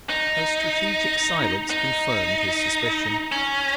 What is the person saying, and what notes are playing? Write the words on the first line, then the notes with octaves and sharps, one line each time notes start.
Her strategic silence confirmed his suspicion.
D#4
D#4
C#4